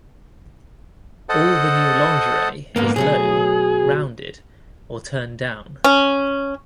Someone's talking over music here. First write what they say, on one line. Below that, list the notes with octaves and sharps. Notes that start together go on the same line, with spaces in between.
All the new lingerie is low, rounded, or turned down.
A4 C5 D#5 F#5 A5
F2 G#2 D3 A#3 B3
B2 F#3 A3 G#4
C#4